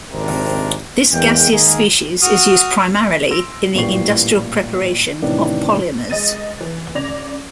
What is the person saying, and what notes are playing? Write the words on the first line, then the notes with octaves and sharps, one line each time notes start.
This gaseous species is used primarily in the industrial preparation of polymers.
G#1 C3 C4 D4 A#4
E2 G#3 A#3 G5
D#3 G#3 A#3 G#4 A#4
F#4 D#6 F6
C6 E6 A#6 D7
A1 A#2 E3 G3 C#6 C7
A2 C3 D#3 E3 C#4 D4
G#3 D#5 A6 D#7
E3
C#3 D5 G#6 A#6 F7